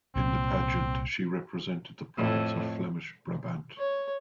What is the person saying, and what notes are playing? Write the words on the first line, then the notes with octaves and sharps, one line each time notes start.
In the pageant she represented the province of Flemish Brabant.
C2 A#2 C4
F2 A2
C#5